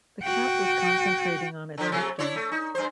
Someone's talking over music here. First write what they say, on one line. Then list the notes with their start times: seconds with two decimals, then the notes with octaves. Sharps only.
The cat was concentrating on its victim.
0.23 F#4 G5
1.78 D3 F3
1.92 C3 F#3 A3
2.19 D4 E4 C#5
2.36 A3
2.52 D#4
2.75 G2 C5